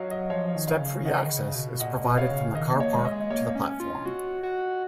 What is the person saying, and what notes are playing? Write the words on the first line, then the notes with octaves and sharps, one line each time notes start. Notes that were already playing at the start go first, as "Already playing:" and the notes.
Step-free access is provided from the car park to the platform.
Already playing: F#3 C#5 D#5 F5
D#5
F3 C#5 F5
D#3
C#5 F5
C#3
C#3 D#5 F#5
D#3
C#3
B2
A#2 D#5 F#5
B2
C#5 F5
C#3
D#3 D#5
A#3
C#5
G#3
D#5
G#3
A#3 C#5
C#4
F4
F#4
F#4